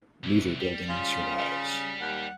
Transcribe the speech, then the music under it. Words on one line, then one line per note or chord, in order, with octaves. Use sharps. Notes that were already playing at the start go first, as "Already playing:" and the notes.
Neither building survives.
C2 E3
G3
C#3 F4
G3
D#2 F#5